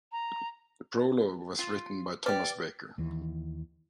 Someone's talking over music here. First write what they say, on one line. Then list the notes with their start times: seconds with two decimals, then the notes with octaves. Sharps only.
The prologue was written by Thomas Baker.
0.12 A#5
1.59 F4
2.26 G4 B4 D5
2.98 D#2 E3